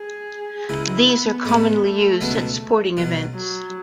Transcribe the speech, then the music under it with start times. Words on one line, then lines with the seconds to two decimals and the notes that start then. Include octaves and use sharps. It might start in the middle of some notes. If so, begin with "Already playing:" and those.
These are commonly used at sporting events.
Already playing: G#4
0.69 C#2 C#3 G#3 D#4 E4
1.08 B3
1.45 A2 G#3 C#4 E4
1.83 A3
2.21 C#2 B2 F#3 B3 E4
2.97 B1 B2 F#3
3.35 F#3